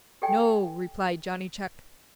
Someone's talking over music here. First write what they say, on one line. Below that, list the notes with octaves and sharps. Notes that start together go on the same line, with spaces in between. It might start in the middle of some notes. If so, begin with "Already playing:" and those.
"No," replied Johnny Chuck.
G4 A4 D5 G5 G#5